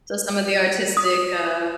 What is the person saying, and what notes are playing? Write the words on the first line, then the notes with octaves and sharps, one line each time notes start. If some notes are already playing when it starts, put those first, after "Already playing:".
So, some of the artistic, uh,
D#6